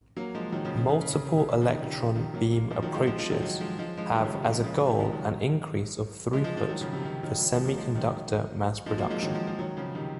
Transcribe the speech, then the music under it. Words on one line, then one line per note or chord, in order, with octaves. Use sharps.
Multiple-electron beam approaches have as a goal an increase of throughput for semiconductor mass-production.
F#3 A#3
F3 G#3
D#3 F#3
C#3 F3
C#3
C#3
C#3
C#3
C3
C#3
C#3
F3
D#3
C#3
C3 D#3
C#3 F3
C3 D#3
F#3 A#3
F#3 A#3
F3 G#3
D#3 F#3
F3 G#3
F3 G#3
F3 G#3
D#3 F#3
D#3 F#3
F3 G#3
F3 G#3
F3 G#3
D#3 F#3
C#3 F3
C3 D#3
F#3 A#3
F3 G#3
C#3 F3
C#3
C3 D#3
F3 G#3
D#3 F#3
D#3 F#3
F3 G#3
F3 G#3
F3 G#3
D#3 F#3
C#3 F3
C3 D#3
C3 D#3
D#3 F#3
D#3 F#3
F3 G#3
F#3 A#3
F3 G#3
D#3 F#3
F3 G#3
F#3 A#3
F3 G#3
D#3 F#3
F3 G#3
F3 G#3
D#3 F#3
C#3 F3
C3 D#3